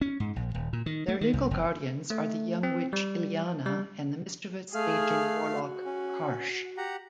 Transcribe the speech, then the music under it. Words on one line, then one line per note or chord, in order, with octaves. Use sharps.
Their legal guardians are the young witch Ileana and the mischievous, aging warlock Karsh.
C#4
G#2
A#1
D#1
A#2
D#3
A3
D#3
C2
F1
A3
C4
G3
G3
A3 G#4 F5 F6
F#4
C#4
G4 F#5 A#5